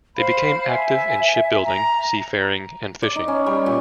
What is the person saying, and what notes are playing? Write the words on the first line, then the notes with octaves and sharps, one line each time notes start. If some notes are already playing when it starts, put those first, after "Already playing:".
They became active in shipbuilding, seafaring and fishing.
C5 F5 B5
E5 G#5
A#5
D5
D#4
C#4
G3
A#2